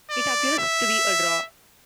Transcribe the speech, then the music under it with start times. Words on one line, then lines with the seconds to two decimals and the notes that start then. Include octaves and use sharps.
It appears to be a draw.
0.11 D5
0.59 E5